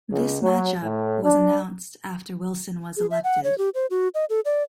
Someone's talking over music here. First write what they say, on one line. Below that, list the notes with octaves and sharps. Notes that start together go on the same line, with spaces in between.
This matchup was announced after Wilson was elected.
C#2
F#3
A2
D4
G#4
E5
F#5
C#5
G4
C5
F#4
D#5
A4
D5